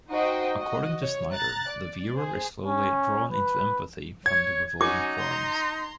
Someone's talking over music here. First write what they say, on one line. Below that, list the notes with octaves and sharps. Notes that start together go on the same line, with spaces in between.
According to Snyder, the viewer is slowly "drawn into empathy with the revolving forms".
D#4 F#4 C5 D#5 G5
F#4 D#5
C#5
A#5 F#6 A6
D5
G#4 C5
C#4
B4
C#5 G#6
C#4 D#4 F#4 G#5 D6
A#5 C6